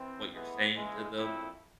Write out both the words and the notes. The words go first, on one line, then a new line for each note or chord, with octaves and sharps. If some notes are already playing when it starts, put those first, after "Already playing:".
what you're saying to them.
Already playing: E3 C4
A2 E3 G#3 B3
C#3 E3 G#3
A#2 F3 A3 C4 E4